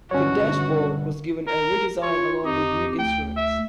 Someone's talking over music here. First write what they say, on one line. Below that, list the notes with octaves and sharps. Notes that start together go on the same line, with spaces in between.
The dashboard was given a redesign along with new instruments.
G1 B2 D3 C#4 F#4 C#5
A#4
F4 C#5
F2 D#4 G4
D2 G5
E5